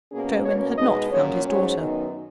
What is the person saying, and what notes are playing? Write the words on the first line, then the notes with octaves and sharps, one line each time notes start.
Sherwin had not found his daughter.
B2 A#3 C#4 G#4
B2 A#3 C#4 C#5
B2 G#3 B3 D#4 D#5
A#2 F#3 C#4 C#5
G#2 F#3 C#4 C#5
F#2 D#3 F#3 B3 D#4